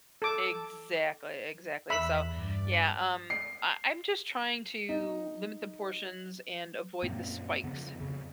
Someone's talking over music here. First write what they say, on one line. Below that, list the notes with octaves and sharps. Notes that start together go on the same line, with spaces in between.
Exactly, exactly, so, yeah, um, I I'm just trying to limit the portions and avoid the spikes,
A4 D6
E2 E5 B5
G2 D5
C7
D#4
F#2 A#2 A#3 C4
F2 C#3 B3
F2 C#3